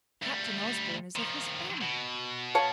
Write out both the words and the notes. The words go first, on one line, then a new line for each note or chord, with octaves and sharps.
Captain Osborn is of his family.
D2 G3
D#3 F3
B2
C#5 F5 A5